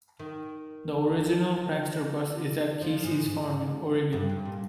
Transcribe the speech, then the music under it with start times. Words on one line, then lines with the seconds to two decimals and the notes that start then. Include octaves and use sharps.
The original Prankster bus is at Kesey's farm in Oregon.
0.19 D#3
2.82 F3
3.04 G#2
3.25 G#2
4.13 G2
4.29 G2
4.45 A#2